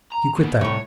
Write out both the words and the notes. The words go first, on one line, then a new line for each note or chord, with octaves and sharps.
"You quit that!"
A#5
A#2 B3
C2 A2 C#5